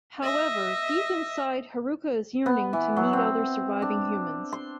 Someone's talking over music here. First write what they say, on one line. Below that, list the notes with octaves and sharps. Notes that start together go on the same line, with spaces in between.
However, deep inside Haruka is yearning to meet other surviving humans.
D#5 E5
B3
E3
F#3
C4
D4
C6